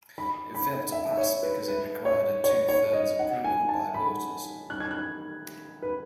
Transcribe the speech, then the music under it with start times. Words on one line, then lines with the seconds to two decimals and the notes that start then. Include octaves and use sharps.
It failed to pass because it required a two-thirds approval by voters.
0.18 B5
0.54 B5
0.92 E5
1.17 C#5
1.43 B4
1.68 B4
2.05 C#5
2.44 C#5
2.69 C#5
2.93 D#5
3.19 F#5
3.44 G#5
3.69 A5
3.94 B5
4.70 F#6
4.80 G#6
4.91 F#6
5.82 B4